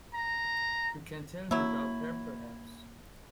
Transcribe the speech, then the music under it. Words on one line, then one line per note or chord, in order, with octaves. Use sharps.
You can tell me about her perhaps?
A#5
F#3 A#3 E4